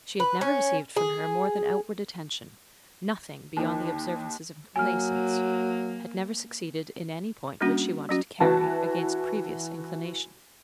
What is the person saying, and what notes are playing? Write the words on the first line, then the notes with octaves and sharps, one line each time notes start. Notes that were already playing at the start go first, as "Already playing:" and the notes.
She had never received from her more than outward attention, nothing beyond the observances of complaisance; had never succeeded in any point which she wanted to carry, against previous inclination.
B4
C#4
G#4
D#2 D#3
F#3 A#3 G#5 F6
G3 A#3 C#4 D4 F#4
F#3 C#4 F#4
E3 F#4 A5